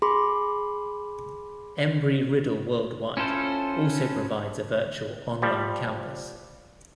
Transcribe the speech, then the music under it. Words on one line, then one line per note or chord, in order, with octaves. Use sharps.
Embry-Riddle Worldwide also provides a virtual "online campus".
G#4 B5 C6 D6
C#4 E4 F4 A4 C5
F3 G3